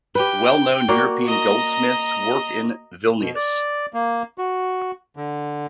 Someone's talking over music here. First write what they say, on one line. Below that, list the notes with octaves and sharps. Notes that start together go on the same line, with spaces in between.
Well known European goldsmiths worked in Vilnius.
G4 B4 G5
A#3 F#4 D5
D#5 A#5
B2
D5
A#3
F#4
D3